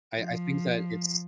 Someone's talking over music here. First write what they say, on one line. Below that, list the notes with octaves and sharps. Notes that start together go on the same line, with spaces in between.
I I think that it's
F3